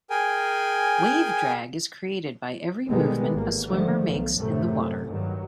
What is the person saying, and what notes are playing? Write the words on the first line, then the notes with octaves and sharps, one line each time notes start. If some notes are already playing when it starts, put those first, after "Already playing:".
Wave drag is created by every movement a swimmer makes in the water.
G#4 A#4 G5 G#5
B2 D3 D#3 G3 G#3 B3
G#1 A#3
D3 D#3 F3 A3
B1
F#2 A2 C3 F#3 A3
G2 D#3 F#3